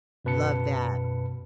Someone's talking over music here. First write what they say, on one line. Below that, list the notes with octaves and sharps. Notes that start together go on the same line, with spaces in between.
Love that.
F#2 B2 B4 A5 C#7